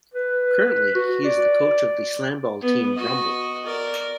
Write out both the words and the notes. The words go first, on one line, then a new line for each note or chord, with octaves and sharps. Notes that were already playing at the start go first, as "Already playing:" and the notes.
Currently, he is the coach of the Slamball team Rumble.
B4
F#4
D5
B3
F#4 D#5
A#4 D5